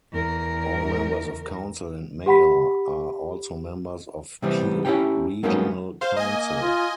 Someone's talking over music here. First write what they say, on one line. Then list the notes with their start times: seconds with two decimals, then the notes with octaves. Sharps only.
All members of council and mayor are also members of Peel Regional Council.
0.12 E2 A#4
2.26 G4 F#5 B5 B6
4.42 C3 E3 G3 B3 C4
4.85 C#4 E4 F#4 G4 C#5 G5
5.43 F#3 G#3 A#3 B3 C#4 D#4
6.01 C5 F5
6.16 A#3 D#5 G#5
6.62 F4